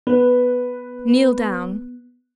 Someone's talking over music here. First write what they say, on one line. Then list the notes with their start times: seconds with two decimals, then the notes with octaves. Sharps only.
"Kneel down."
0.07 B3 B4